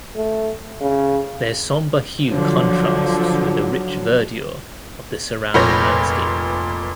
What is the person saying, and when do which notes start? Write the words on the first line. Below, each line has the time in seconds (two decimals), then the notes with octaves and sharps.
Their somber hue contrasts with the rich verdure of the surrounding landscape.
0.16 A3
0.81 C#3
2.28 D3 F3 F#3
5.54 F1 A#2 B4 C#5 G6 A#6